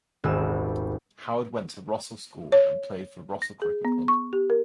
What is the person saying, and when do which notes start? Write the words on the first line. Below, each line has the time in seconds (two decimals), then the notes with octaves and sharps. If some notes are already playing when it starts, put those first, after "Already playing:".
Howard went to Rossall School and played for Rossall Cricket Club.
0.24 D#1 G#1 E6
2.52 C#5
3.42 A#6
3.62 G#4
3.85 B3
4.08 C#6
4.33 G4
4.50 A#4